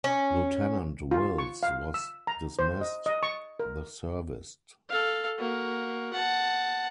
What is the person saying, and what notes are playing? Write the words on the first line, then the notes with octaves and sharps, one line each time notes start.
Lieutenant Wills was dismissed the service.
C#4
F4
C#6
F5
E6
A#5
C5
D#5
D#5
C#6
A#4
A4 F5
A#3 F#4
F#5 A5